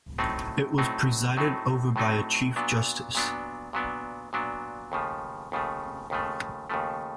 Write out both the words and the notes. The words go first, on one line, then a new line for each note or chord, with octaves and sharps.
It was presided over by a Chief Justice.
A2 F#3 A3 C4 D#4
A2 F#3 A3 C4 D#4
A2 F#3 A3 C4 D#4
A2 F#3 A3 C4 D#4
A#2 F#3 B3 D4
A#2 F#3 B3 D4
A#2 F#3 B3 D4
A#2 F#3 B3 D4
D#2 C#3 F3 A3
D#2 C#3 F3 A3
D#2 C#3 F3 A3
D#2 C#3 F3 A3